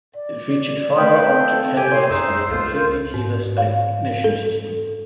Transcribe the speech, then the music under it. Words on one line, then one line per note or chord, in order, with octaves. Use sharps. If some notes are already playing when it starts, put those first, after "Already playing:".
It featured fiber optic headlights and a completely keyless ignition system.
D5
A3 B4 F5 G5
C4 A4
C3 G4 G5 G#5
C5
F#2 D#4 G#4 E6
C#2 F4 A4
F4 A#4 C5
G#2
F5
A4